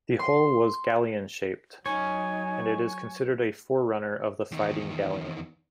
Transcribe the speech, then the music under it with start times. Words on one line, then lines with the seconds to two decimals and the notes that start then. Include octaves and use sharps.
The hull was galleon-shaped, and it is considered a forerunner of the fighting galleon.
0.19 C6
1.86 F#3 D#4 C#5 G#5
4.51 E2 D#3